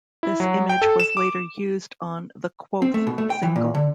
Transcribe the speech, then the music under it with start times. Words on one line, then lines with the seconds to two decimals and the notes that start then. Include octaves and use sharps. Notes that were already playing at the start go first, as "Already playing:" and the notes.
This image was later used on the Quoth single.
0.23 E4
0.40 F#3
0.69 G5
0.82 A4
1.00 E7
1.17 D6
2.82 C4
2.94 A3
3.07 B2
3.18 A3
3.30 G5
3.43 E3
3.56 A#2
3.75 D3